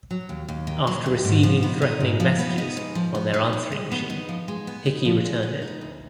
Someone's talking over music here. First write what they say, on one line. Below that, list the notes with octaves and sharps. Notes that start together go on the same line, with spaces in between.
After receiving threatening messages on their answering machine Hickey returned it.
F#3
D#2
D#2
D#3
F#3
D#2
G#2
F3
B3
D#4
G#2
F3
B3
D#4
G#2
F3
B3
D#4
F3
G#3
B3
D#4
F3
G#3
B3
D#4
F3
G#3
B3
D#4
D2